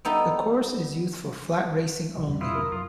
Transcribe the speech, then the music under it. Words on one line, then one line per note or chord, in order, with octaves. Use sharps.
The course is used for flat racing only.
G3 B3 D#4 A4
B1 C#3 A3
F2 C3 G3
E4 F4 D#6
A#4
F#2 F4